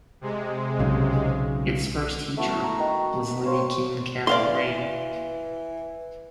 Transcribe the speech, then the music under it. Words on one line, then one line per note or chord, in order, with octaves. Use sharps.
Its first teacher was Linnie Keen Campbell Lane.
C3 G#3
B1 C#3
A3 B3 E4 F#4
F#4 A#5
D#3 A#5
C5 C#5 F5 G5
E3 D5 F5 C6